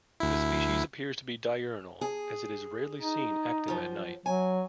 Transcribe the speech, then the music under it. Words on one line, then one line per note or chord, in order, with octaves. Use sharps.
The species appears to be diurnal, as it is rarely seen active at night.
D2 E4
G#4
D#4
F#2 F3
F#3 G#5